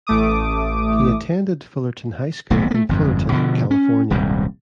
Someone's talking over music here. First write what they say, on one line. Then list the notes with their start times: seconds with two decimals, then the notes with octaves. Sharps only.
He attended Fullerton High School in Fullerton, California.
0.07 A1 A3 D6 D#6
2.50 D#1 B1 C3 A3
2.71 A3 A#3
2.89 G1 F2 G#2
3.32 B2 D3 F3
3.71 C#4
4.10 D#1 C2 G#2